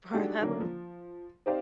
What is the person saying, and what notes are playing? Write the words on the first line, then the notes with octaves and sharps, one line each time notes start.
For that long
G#3 D4 D#4 F#4 G4 A4
D3 D#3 F#3 A#3 C#4 D4
F3
C4 D#4 G4 C5 D5 F5